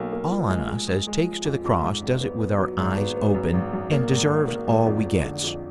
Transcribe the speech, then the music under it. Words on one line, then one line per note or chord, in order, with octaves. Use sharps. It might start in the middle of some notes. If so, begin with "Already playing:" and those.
All on us as takes to the cross does it with our eyes open, and deserves all we gets.'
Already playing: B1 A#3
A#3
F3
G#3
G#3
G#3
G#3
F3
F2
F2
G#2
G#1
B3
B3
F#3
G#1
B3
B3
F#2
G#1
F#2
A#3
G#1
G#1
A#3
G#1
F2
F2
D3
F2